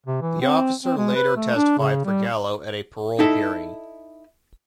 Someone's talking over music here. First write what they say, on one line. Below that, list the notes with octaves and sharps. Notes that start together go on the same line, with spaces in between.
The officer later testified for Gallo at a parole hearing.
C3
E3
C4
C4
G#3
B4
A3
D4
C#3
G3
D#4 E4 A4